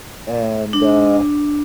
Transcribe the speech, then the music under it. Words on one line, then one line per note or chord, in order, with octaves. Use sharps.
and, uh,
D4